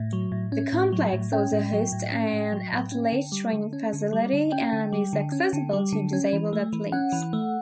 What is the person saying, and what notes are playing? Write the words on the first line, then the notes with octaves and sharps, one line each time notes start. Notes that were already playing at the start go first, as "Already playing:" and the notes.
The complex also hosts an athlete training facility, and is accessible to disabled athletes.
Already playing: A2
F#3
A2
C#4
A2
F#3
A2
C#4 G5
A2
F#3
A2
C#4
A2
F#3
A2
C#4
D3
G3
D3
C#4
D3
G3
D3
C#4 G5
D3
G3
D3
C#4
D3
G3
D3
C#4
E3
A3
E3
C#4 F#5
E3
A3